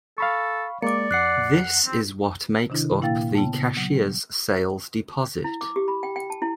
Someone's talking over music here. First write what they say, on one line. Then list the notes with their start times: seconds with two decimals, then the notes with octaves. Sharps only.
This is what makes up the cashier's sales deposit.
0.18 A4 F5 B5 C#6
0.82 G#3 A#3 D5 D6 C#7
1.11 F2 F#5 F#6 C7 C#7
1.86 C4
2.70 C3 D#3 D4 E4
3.01 A#2 A#3 E4 F5 G5 A6
3.35 C#3 B3 G5 A5
3.77 F#3
5.44 E4
5.61 D6
5.76 G4
5.88 B5
6.03 G5
6.16 G5
6.30 A5
6.42 E4